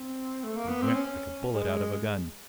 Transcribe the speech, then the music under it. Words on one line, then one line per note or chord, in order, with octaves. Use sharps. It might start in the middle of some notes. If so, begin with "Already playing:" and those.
He went like a bullet out of a gun.
Already playing: C4
A3
A#3
B3
C4
C#4
G#3